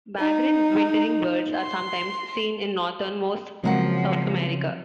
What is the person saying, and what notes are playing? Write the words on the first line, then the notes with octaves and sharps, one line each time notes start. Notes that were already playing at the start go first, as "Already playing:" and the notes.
Vagrant wintering birds are sometimes seen in northernmost South America.
D#4
C6
C#3 F3 F#3 G#3 A#3 C4 F#5